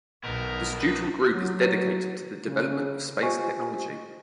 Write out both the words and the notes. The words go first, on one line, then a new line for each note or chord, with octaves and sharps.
The student group is dedicated to the development of space technology.
B1 D#3 B3 A#4
B4
F#3
C#3
F4 G4 C5 D#5 G#5 C#6